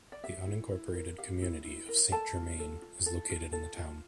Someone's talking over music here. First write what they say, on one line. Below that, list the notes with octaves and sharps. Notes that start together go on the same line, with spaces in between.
The unincorporated community of Saint Germain is located in the town.
D5
G4 E5
E4
E4
A#4
G4 F5
E4
E4
A#4
A4 A5
F4
A4
F4
A4
F4
A4
F4